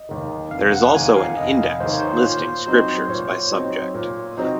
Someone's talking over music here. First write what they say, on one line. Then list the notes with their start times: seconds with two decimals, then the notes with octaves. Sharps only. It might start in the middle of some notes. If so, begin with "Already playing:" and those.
There is also an index listing scriptures by subject.
Already playing: D#5
0.09 D#2 D#3
0.51 F1 F5
0.72 F#5
0.94 D#2 D#3 G#5
1.16 F5
1.37 F1 D#5
1.80 D#2 D#3 C5
1.90 C#5
1.99 C5
2.23 A#2 C5
2.66 F#3 C4 D#4 C5
3.08 A#2 C#5
3.52 F#3 C4 D#4
3.94 A#2
4.37 F#3 C4 D#4